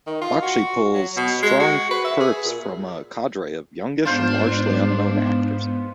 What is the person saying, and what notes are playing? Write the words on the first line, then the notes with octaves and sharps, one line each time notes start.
Bakshi pulls strong perfs from a cadre of youngish and largely unknown actors.
D#3
F4
F#4
F#3
B2
G#3
F#4
B4
E5
G#4
A#2
G#2 B3 D4 F4 C5